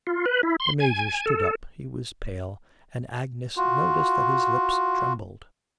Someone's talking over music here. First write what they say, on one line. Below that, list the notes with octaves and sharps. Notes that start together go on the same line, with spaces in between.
The Major stood up, he was pale, and Agnes noticed that his lips trembled.
F4
B4
E4
C6
G#5
A4
F4 F#4